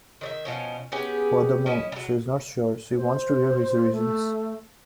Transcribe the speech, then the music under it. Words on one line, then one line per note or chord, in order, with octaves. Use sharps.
Furthermore, she is not sure she wants to hear his reasons.
D#3 C#5 E5
B2 F3 C#4
B3 C#4 G4 G#4
C#4 E4 D#5
F#3 G3
C5
A3